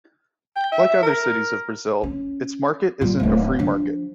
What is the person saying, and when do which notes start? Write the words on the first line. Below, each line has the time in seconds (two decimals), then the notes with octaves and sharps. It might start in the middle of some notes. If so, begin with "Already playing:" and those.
Like other cities of Brazil, its market isn't a free market.
0.56 G5
0.72 E5
1.02 A#4
2.03 C#4
3.01 A#2 G3
3.20 D1 A3
3.59 F3 D4